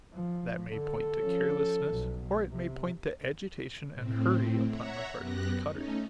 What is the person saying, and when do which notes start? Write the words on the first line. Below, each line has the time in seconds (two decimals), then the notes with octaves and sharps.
That may point to carelessness or it may point to agitation and hurry upon the part of the cutter.
0.14 F3
0.71 D3 A4
1.20 F3 C#4
1.89 B1 B2
2.51 C3
3.92 A2 C4
4.66 C#5 E5 F#5 A#5
5.15 F#2 B3 G4 F#6 A#6
5.64 A3 C#4 D#4